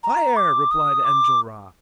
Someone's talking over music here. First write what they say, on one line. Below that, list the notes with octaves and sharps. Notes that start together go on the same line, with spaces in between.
"Fire!" replied Enjolras.
A#5
D6
D#6
D6